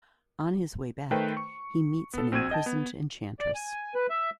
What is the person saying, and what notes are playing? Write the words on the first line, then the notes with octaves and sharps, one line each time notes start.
On his way back, he meets an imprisoned Enchantress.
D#3 A3 B4 C5 G5
C#6
B3 A4
A#1 C4 F#4 E6 G#6 D#7
D#5 G5 A5
B3
D5
G#5
B4
E5